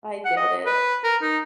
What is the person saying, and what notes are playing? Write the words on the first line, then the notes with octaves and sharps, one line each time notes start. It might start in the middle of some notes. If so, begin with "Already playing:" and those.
I get it.
F#5
D#5
B4
A#4
D#4